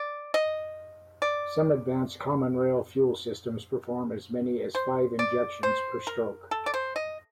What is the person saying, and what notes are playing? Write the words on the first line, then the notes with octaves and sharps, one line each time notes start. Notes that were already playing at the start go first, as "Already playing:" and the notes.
Some advanced common rail fuel systems perform as many as five injections per stroke.
Already playing: D5
D#5
D5
C5
D5
C5
A#4
A4
D5
C5
D#5